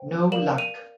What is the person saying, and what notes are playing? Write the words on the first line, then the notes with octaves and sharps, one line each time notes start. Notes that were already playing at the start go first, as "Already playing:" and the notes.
No luck!
Already playing: C5 G5
A#4 D5 F5 E7 F#7
D#7 F7